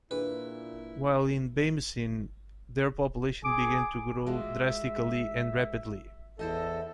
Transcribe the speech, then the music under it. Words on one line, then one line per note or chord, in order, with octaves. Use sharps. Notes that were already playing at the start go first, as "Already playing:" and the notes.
While in Bamessin, their population began to grow drastically, and rapidly.
A#2 D4 E4 G#4 B4
G#4 D6
G#3 F4 F#4 E5
E2 E4 A4 C5 D#5